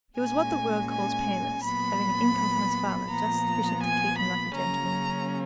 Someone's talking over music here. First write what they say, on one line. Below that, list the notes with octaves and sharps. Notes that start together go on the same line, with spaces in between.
He was what the world calls penniless, having an income from his father just sufficient to keep him like a gentleman.
A#2 G#3 C#4 G#5
G#5
A#2 F#3 B3 B5
A#2 F3 B3 A#5
G#5
B5
C#3 F#3 A#3 C#4 A#5